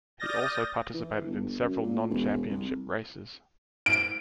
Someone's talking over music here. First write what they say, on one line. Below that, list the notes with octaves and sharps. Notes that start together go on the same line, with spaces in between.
He also participated in several non-championship races.
D5 D#6 F6 G6 A6 A#6
E3
G1
F#2
A#2
E1
C2
D7